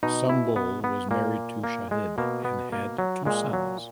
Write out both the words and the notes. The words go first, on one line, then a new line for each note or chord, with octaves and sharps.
Sumbul was married to Shahid and had two sons.
B2 D#4
E4
B3
B3
A#2 A#3
A#3
G#3
B2 A#3
B3
A#3
F#3
A#2 G#3
F#3